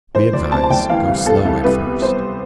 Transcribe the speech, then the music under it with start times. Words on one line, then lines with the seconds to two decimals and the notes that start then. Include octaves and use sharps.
We advise: Go slow at first.
0.15 E3 C5
0.33 D2 D5
0.52 C3 A5
0.63 A5
0.70 D2 G5
0.89 E3 F5
1.08 C2
1.26 C3 A4
1.45 C2
1.64 C2 B4
1.83 B2
2.01 B2 C5